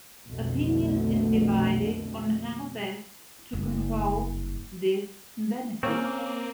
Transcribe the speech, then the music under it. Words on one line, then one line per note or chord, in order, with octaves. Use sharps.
Opinion is divided on how best to control this benefit.
B1 F2 B2 D3 A3
F#1 G2
A#3 C4 C#4